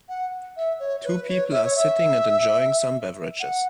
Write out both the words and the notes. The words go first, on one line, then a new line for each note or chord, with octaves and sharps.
Two people are sitting and enjoying some beverages.
F#5
E5
C#5
B4
C#5
E5
C#5
E5
F#5